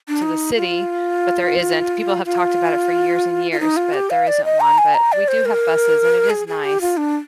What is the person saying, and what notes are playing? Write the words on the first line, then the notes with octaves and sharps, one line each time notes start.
to the city, but there isn't. People have talked about it for years and years, but there isn't one. But we do have buses and it is nice
D4
D#4
F4
F4
F4
D#4
F4
G4
F5
D5
D#5
A#5
G#5
A#5
D5
C5
A#4
G#4
G#4
G4
F4
D4